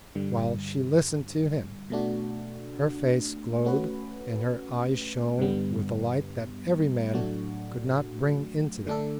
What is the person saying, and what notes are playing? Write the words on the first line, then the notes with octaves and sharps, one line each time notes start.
While she listened to him, her face glowed and her eyes shone with a light that every man could not bring into them.
G2 D3 G3
B2 A3 D4 F#4
A3 C#4 F#4 B4
G2 D3 G3 B3
A2 F#3 A3 D4 F#4
D3 A3 D4 A4